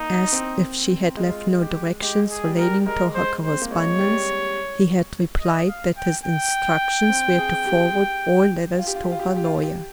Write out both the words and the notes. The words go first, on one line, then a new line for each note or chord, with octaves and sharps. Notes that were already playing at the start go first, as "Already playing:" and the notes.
Asked if she had left no directions relating to her correspondence, he had replied that his instructions were to forward all letters to her lawyer.
Already playing: A#3 D#4
C4
G#3 F4
G4
G#3 G4
G#4
G3
G3 A#4
G#3 A#4
C5
C5
C4
A#3
G#3 C#5
G3
D#5
F5
G5
G5
C4
G#4
G4
F4
G4
F4
G4
F4
G4
F4
G4
F4
G4